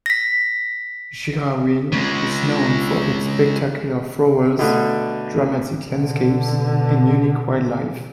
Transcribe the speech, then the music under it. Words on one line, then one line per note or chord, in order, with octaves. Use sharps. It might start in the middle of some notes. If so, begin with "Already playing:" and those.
Girraween is known for its spectacular flowers, dramatic landscapes and unique wildlife.
A#6 B6
C#3 G#3
B2 D3 A3
B2 D3